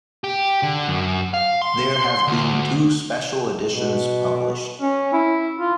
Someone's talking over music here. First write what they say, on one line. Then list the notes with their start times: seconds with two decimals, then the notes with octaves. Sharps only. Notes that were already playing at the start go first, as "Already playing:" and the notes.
There have been two special editions published.
0.24 G4
0.63 D3
0.88 F#2
1.34 F5
1.62 C6
2.27 D2
3.69 B2
4.82 C#4
5.13 E4
5.59 F4